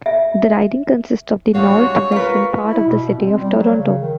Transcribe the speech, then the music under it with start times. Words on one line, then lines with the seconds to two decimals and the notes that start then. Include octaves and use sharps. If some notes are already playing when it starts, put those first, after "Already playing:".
The riding consists of the northwestern part of the City of Toronto.
0.06 E5
1.55 G3 G#3 C4 D4 F#4 C#5 F5
2.12 F4 A#4 B4 C#6
2.65 E4
2.87 B2
3.03 B2
3.18 C4
3.41 G3
3.58 F#3
3.79 C#3
4.01 D#3